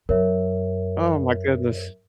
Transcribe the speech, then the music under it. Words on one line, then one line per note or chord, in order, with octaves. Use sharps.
Oh my goodness.
F#2 A#4 C#5 E5